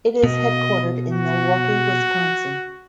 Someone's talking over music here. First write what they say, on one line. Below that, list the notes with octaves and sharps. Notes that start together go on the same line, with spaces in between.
It is headquartered in Milwaukee, Wisconsin.
B2 D#5
F#4